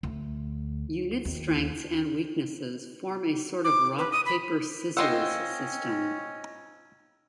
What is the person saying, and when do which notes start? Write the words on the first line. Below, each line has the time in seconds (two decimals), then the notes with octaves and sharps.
Unit strengths and weaknesses form a sort of rock-paper-scissors system.
0.03 D2
1.25 D#2
3.64 D6
3.98 B4
4.12 D#6
4.26 B5
4.97 C4 C#4 F4 D#5 F#5 G5 E6